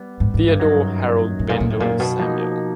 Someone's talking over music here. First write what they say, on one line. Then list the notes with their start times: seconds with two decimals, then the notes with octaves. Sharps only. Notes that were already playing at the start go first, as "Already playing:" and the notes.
Theodore Harold Bendor-Samuel.
Already playing: G3 B3
0.20 G#2
0.34 G#2
0.48 G2
0.60 F#2 D#3 F#3
1.39 A2
1.49 A#2
1.60 A#2
1.70 A2
1.80 A#2
2.00 B2
2.20 F3 A#3 D#4